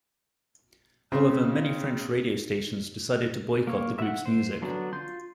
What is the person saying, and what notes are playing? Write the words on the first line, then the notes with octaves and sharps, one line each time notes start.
However, many French radio stations decided to boycott the group's music.
C#3 C4
A#3 C#5
E5 F#5
C5
D3 F#3 B3 D4
F4 C6 G6